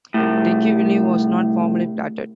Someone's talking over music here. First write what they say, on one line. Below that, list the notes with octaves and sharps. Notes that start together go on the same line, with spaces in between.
Dickeyville was not formally platted.
C2 A2